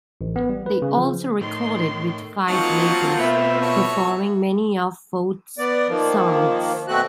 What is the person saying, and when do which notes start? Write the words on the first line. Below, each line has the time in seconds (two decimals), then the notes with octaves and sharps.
They also recorded with five labels, performing many of Fouts' songs.
0.21 A1
0.36 B3
0.50 G3
0.66 B4
0.82 C#3
0.97 F3
1.41 A2 D#3 C6
2.48 F#3 A#3 C4 D#4 F4 F#5 A5 C#6
3.19 B2 B3 E5 B5
3.62 F#4 A4 C#5
5.58 B3 D5
5.88 D#3 F3 A#3
6.88 B2 A3 C4 F#4 F#6